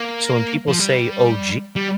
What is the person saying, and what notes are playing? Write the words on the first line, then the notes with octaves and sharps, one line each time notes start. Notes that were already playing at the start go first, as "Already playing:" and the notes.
So when people say OG,
Already playing: A#3
F3
G3
G3